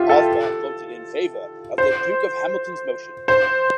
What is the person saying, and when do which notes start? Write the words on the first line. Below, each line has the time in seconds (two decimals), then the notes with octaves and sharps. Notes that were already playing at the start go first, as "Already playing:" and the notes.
Oswald voted in favour of the Duke of Hamilton’s motion.
Already playing: F4 G4 E5
0.09 A4
1.78 C5
3.28 C5